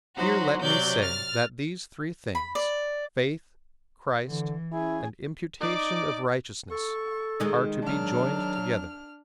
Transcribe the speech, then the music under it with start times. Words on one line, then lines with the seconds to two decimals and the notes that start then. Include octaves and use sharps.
Here let me say, that these three things, faith, Christ, and imputation of righteousness, are to be joined together.
0.16 F#3 D#4 F#4 C5
0.61 C3 F#3 D5 G6
1.02 F6 A6
2.35 B5
2.55 D5
4.26 D3 E3
4.72 C#4 E4 G#4
5.61 D#4 D5 D6
6.71 A4 C#6
7.40 D#3 G#3 D#4
7.82 F#3 D4 F6